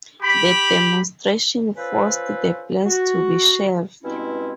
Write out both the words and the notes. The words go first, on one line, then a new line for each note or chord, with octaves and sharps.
The demonstrations forced the plans to be shelved.
G4 B5
C#4 F4 A4 B4 C5
F#4
G2 B2 G#3 C4 C#4 E4